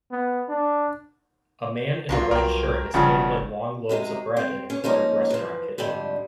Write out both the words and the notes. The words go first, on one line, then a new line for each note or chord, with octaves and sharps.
A man in a white shirt is handling long loaves of bread in a cluttered restaurant kitchen.
B3
D4
C2 G2 F#3 F4
C2 A#4 G5
F#1 G2 C#3 F3 F#4
F#2 C3 G#3 D#4
C4
C#4
F3 A#3 C#4 D#4
E3 F3
F2 G#2 D3 G3